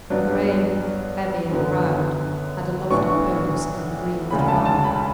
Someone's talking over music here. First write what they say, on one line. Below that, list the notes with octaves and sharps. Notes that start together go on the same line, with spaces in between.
Karain, heavy and proud, had a lofty pose and breathed calmly.
G2 F#3 B3 D4
F#2 D3 F#3 B3
B1 A2 F#3 B3 D4 C#6
E1 D2 C#3 B5
A5
A5
B5